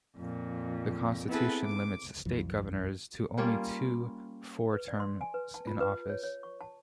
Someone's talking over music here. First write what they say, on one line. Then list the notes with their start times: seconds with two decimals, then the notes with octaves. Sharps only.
The constitution limits state governors to only two four-year terms in office.
0.17 F2 A#2
1.28 B3 C4 E4 G#4 A4 B4
1.65 D6
2.25 B1 F2 E3 F#3
3.38 G3 A#3 C#4 F4
4.73 B4
4.88 D5
5.00 C6
5.21 G#5
5.34 B4
5.54 A5
5.67 F4
5.80 B4
6.10 C#5
6.23 C#5
6.43 C#6
6.61 A5